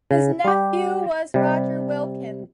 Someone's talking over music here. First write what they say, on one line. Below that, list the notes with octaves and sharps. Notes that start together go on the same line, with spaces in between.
His nephew was Roger Wilkins.
C#3
G3 G4
C3 G3